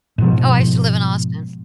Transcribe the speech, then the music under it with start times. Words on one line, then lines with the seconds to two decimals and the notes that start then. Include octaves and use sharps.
Oh, I used to live in Austin.
0.18 G#2 B2 F3